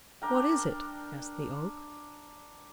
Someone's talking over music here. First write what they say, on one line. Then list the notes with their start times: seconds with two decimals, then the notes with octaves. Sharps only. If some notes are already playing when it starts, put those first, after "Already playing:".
"What is it?" asked the Oak.
0.22 D4 A#4 G5